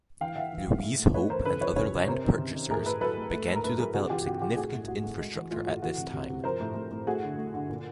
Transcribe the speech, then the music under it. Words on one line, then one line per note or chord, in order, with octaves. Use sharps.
Louis Hope and other land purchasers began to develop significant infrastructure at this time.
E3 F5 G5
E3 E5 F#5
E3
A2
A2
A3
A3 B4 C#5
E3 A#4 C5
C#3 A4 B4
F3 B4 C#5
C#3 B4 C#5
C#3
C3 A#4 C5
D#3
C3
D#3
A2 G#4 A#4
A2 A4 B4
F#3 A4 B4
A3
A3
A2 A4
A#4
A2 A4 B4
F#3 G#4 A#4
C3 F#4 G#4
E3 F4 G4
C3 F#4
C3 F4 G4
A2 F#4 G#4
A2
A2 F#4
A2
G#3
E3
A2 F4
A2 F#4
E3 F#4
C3
C3
C3
F3 A#4 C5
A2
A2
A2
A3 F#4 G#4
D3
A3
D3
A#2